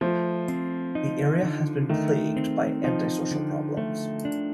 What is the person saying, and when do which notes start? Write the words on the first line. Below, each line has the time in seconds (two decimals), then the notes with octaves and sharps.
The area has been plagued by antisocial problems.
0.01 F3 A3
0.49 C4
0.95 D#4
1.43 D3
1.89 D#3 A3
2.36 C4
2.84 F3 D#4
3.31 D3
3.77 A3
4.25 D4